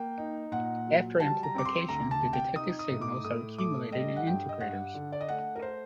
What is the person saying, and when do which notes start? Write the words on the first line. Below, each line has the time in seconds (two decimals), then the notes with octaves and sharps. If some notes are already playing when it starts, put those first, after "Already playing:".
After amplification, the detected signals are accumulated in integrators.
Already playing: A#3 G5
0.18 D#4
0.52 A#2 F#5
0.87 F#3
1.19 G3 A5
1.43 A#5
1.54 C4 D6
1.65 C6
1.89 D2 A#5
2.11 A5
2.22 C3
2.33 G5
2.56 D#4 D#6
2.79 D#6
2.90 A2
3.01 D6
3.24 A2 D#6
3.58 A3 D6
3.92 G3 D#5
4.16 F#5
4.27 G2 G5
4.49 D#5
4.60 G2 F#5
4.94 D3
5.12 D5
5.21 D#5
5.28 A3 F#5
5.56 A#4
5.62 C5